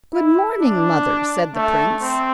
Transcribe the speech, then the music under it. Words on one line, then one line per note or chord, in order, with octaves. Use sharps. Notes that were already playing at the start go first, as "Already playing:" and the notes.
'Good-morning, mother,' said the prince.
E4
D4
A3
C4